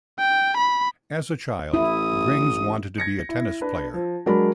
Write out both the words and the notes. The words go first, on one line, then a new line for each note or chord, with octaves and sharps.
As a child, Grings wanted to be a tennis player.
G5
B5
A1 E4 D#6
G#6 A#6 C#7
E4
D4 B4
F3
F#3 G#3 D4 A#4 B5